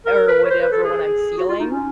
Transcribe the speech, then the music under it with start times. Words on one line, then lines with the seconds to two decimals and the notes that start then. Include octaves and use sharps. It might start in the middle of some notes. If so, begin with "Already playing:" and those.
or whatever when I'm feeling.
0.06 A#4
0.28 B4
0.45 C#5
0.50 C5
0.61 B4
0.71 A4
0.84 G#4
1.38 F#4
1.49 F4
1.60 D#4
1.71 C#4